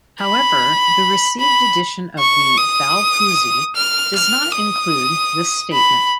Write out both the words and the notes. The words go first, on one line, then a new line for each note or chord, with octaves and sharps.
However, the received edition of the "Baopuzi" does not include this statement.
B5
B5
C#6
D#6
F6
F6
D#6
B5